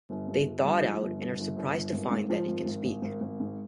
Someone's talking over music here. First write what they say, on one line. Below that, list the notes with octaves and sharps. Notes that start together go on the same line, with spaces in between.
They thaw it out, and are surprised to find that it can speak.
G1
G2
G1
G2
F3
G1
G1
G1
G1
G1
G#1
G#2
F3
G#1
G#1
G#1
G#1
G#1
G#2